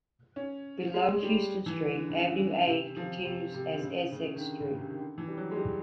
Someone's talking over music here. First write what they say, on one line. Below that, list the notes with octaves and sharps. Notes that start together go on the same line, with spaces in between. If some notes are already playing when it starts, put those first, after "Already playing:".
Below Houston Street, Avenue A continues as Essex Street.
C#4
G#3
G3
E3
D3
C#3
C3
F3
C3
C3
D3
C#3
C#3
D#3
D3
C#3
C#3
C3
D#3
D3
E3
G3
F#3
G#3
G3